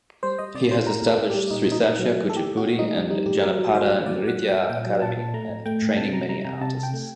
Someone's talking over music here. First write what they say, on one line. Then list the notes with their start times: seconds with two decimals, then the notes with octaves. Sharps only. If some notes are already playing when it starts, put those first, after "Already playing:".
He has established Sri Satya Kuchipudi and Janapada Nritya Akademy and training many artists.
0.23 G3 C5
0.39 G3 D#5
0.55 C3 D5
0.71 G3 C5
0.87 A2 A#4
1.02 A2
1.08 A4
1.18 A2
1.30 G3 G4
1.51 A#2 D#4
1.66 A#2
1.72 D#4
1.83 A#2
1.99 F#3
2.15 A3
2.30 A3 A4
2.36 G4
2.47 A3
2.57 F#4
2.62 A3
2.79 G3 D#4
2.94 G3 D4
3.10 G3 D#4
3.26 A2 G4
3.42 F#3 A#4
3.59 F#3
3.74 F#3 C5
3.89 A2
4.06 F#3 D5
4.22 F#3
4.28 F#5
4.38 F#3
4.49 G2 G5
4.70 A#2 G5
4.86 F#3
5.02 A#2 A5
5.17 A#2
5.34 A3 A#5
5.49 A2
5.66 A3 G5
5.82 A2
5.97 C3 A5
6.13 G3 A#5
6.29 G3 A#5
6.45 C3 A#5
6.61 C3 A5
6.77 C3
6.83 G5
6.93 A3